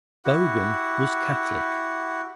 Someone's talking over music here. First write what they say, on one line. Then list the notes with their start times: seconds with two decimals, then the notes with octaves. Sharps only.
Bogan was Catholic.
0.25 E4 F#4 G4 F#5